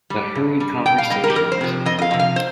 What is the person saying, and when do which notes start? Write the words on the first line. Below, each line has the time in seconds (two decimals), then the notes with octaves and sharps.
The hurried conversation was ended.
0.10 G3
0.35 G2
0.60 G3
0.86 G2 G5
0.98 F5
1.10 G3 D#5
1.24 A#4
1.30 G4
1.36 F2 A#4
1.52 C5
1.61 C3 F3
1.86 F2 D#5
1.99 D#5
2.02 F5
2.11 C3 F3
2.19 F5
2.36 C5